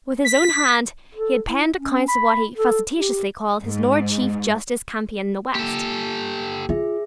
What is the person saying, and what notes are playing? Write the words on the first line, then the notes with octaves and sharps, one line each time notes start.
With his own hand he had penned accounts of what he facetiously called his Lord Chief Justice's campaign in the West.
B6
A4
E4
C#4
B5
A4
G4
G#2
A#3 G4 A4
F4 G#4 E5